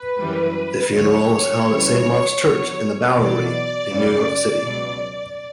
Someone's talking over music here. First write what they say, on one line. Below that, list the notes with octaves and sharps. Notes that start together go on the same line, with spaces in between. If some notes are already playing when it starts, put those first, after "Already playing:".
The funeral was held at Saint Mark's Church in-the-Bowery in New York City.
Already playing: B4
F#2 E3 G3
D2 D3 F#3 C#5
D2 C#3 E3 G3
E2 D3 F#3
E2 B2 F#3 D5
F#2 C#3 G3
C#2 B2 F#3